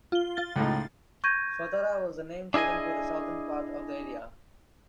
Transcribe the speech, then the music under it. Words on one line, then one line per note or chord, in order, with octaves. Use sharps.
"Swatara" was the name chosen for the southern part of the area.
F4 G7
F4 A6
C#2 A2 D#4
C#6 G6 G#6 A#6 D#7
D4 E4 G#4 D#5 G#5